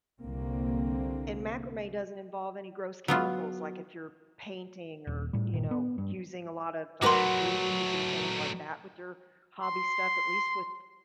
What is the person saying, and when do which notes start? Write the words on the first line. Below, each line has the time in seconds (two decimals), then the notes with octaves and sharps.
And macrame doesn't involve any gross chemicals, like, if you're painting or, you know, using a lot of, um, glues and things like that with your hobby stuff, at least with
0.21 C2 D3 A#3 C4
3.08 F#3 B3 F4
5.07 D#1
5.33 A2 G3
5.53 G1 A#2 D#3
5.71 B3
5.98 G2
7.02 F#3 A3 F#4 A#4 B4 C6 D6
9.62 C6